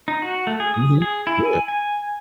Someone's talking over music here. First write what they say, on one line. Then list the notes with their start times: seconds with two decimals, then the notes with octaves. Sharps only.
Mhm. Yeah.
0.08 D#4
0.22 F#4
0.47 A3
0.60 G#4
0.74 D#6
1.02 G#4
1.27 E4
1.45 G#5
1.68 G#5